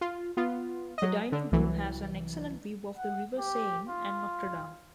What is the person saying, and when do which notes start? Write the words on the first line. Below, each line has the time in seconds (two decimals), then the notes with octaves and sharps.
The dining room has an excellent view of the river Seine and Notre Dame.
0.01 F4
0.37 B3 F4
0.98 F#3 D#5
1.32 D3
1.52 C2 E3 F#3
2.98 F#5
3.38 G4
3.89 F4